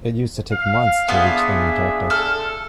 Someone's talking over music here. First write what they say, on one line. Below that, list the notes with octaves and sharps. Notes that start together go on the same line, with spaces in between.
It used to take months to reach the Antarctic.
F5
B3 D4 F4 G#4 E5
A4 F6